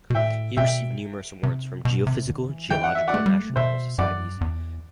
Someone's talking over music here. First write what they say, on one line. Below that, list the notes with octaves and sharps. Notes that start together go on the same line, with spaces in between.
He received numerous awards from geophysical, geological and astronomical societies.
B2
A2 E5 G5
B2 E5 G5
C3
B2
C3
D3
E3
E3 G5
F#5
E5
D5 F#5
A3
G3
A3
C3
B2 C5 E5
F#2 D5 F#5
E2